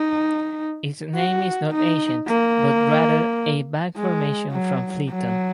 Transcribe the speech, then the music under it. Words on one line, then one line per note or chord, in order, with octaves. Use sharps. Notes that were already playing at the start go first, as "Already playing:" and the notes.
Its name is not ancient, but rather a back formation from Flitton.
Already playing: D#4
F#4
D#4
A#3
G#3
F#3
F#3